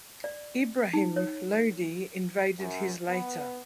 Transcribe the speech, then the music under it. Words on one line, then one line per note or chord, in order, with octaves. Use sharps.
Ibrahim Lodhi invaded his later.
D5
D#4
C#5
F#2
B3